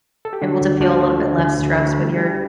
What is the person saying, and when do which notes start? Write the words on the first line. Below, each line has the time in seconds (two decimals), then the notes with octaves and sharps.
able to feel a little bit less stress with your
0.25 A4
0.33 G4
0.41 D3 D4 F#4
0.61 D2
0.81 D2 D4 F#4
1.00 A3
1.20 D3
1.39 D2
1.59 D2
1.79 A3
1.98 G3
2.17 G3